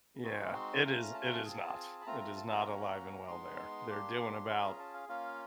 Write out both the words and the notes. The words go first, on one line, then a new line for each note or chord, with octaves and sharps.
Yeah. It is it is not, it is not alive and well there. They're doing about,
G#3 C4 D#4 F#4
C6
A3 C#4 F4 A#5
A5
A#5
A5
C4 F4 G#4
B5
A3 C4 F4 A#5
A#5
A5
A#5
A#3 C#4 F#4
G#3 B3 D#4 C6
A#3 D4 G4
C#4 F4 G#4 B5
A#5
A5
F5
A#3 C#4 F4 F5